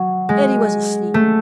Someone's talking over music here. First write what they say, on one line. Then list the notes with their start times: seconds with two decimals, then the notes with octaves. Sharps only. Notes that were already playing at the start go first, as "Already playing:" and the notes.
Elly was asleep.
Already playing: F#3
0.29 G#3
1.14 A3